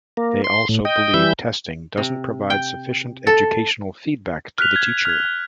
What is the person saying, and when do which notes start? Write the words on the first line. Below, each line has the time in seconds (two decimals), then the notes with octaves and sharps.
They also believe testing doesn't provide sufficient educational feedback to the teacher.
0.17 A#3
0.44 C6
0.69 A2
0.85 D#5 G5
1.14 E3 G3 E5 G6
1.98 C3
2.50 G5
3.27 A4
4.58 F6 F#6 B6 F7
4.76 G#6
5.05 F6 G#6